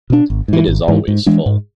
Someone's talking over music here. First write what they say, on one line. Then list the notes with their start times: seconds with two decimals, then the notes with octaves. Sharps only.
It is always full.
0.10 B2 B3 D4
0.30 G#1
0.48 G#2 E3
0.68 G#1
0.88 G#2 E3
1.08 G#2
1.26 E3 G#3 D4
1.46 G#2